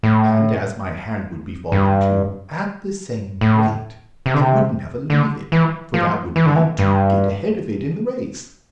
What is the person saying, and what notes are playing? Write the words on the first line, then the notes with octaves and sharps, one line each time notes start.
And, as my hand would be falling too--at the same rate--it would never leave it, for that would be to get ahead of it in the race.
A2
G2
A2
C3
D3
C3
D3
E3
F3
E3
D3
E3
G2